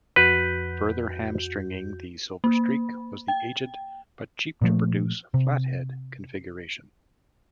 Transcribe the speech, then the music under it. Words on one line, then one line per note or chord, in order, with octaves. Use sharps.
Further hamstringing the "Silver Streak" was the aged, but cheap to produce, flathead configuration.
F2 F#4 B4 G6
A#3
G5
A#2 F3 A3
C3